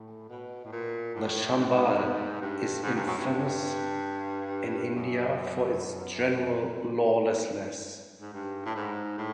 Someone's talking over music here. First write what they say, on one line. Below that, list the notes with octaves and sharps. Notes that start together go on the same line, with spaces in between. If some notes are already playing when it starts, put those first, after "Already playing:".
The Chambal is infamous in India for its general lawlessness.
Already playing: A2
B2
A2
A#2
A2
G#2
G2
G#2
G2
F#2
G2
F#2
G#2
G2
A2
G#2
A2